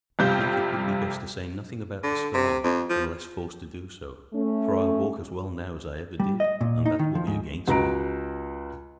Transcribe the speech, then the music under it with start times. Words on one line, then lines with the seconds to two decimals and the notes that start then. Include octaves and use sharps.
"I think it would be best to say nothing about the scars, unless forced to do so, for I walk as well now as I ever did, and that will be against me."
0.19 F2 C3 G3 F4 G6
2.03 D3
2.34 C3
2.64 F2
2.90 F3
4.34 A3 C#4
6.20 G3
6.40 D#5
6.61 A#2
6.86 D#4
6.99 D#3
7.15 F3
7.27 G#2
7.68 C#2 F#4 A#5 D7